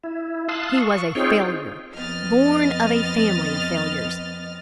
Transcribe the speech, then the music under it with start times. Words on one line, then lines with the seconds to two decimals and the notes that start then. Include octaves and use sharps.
He was a failure, born of a family of failures.
0.04 E4
0.49 F5 A5 C6 D#6 E6 F#6
0.79 C#6
1.15 C4 D#4 F4 G#4 C#5 G5
1.94 F2 B3 D#5 F6 A6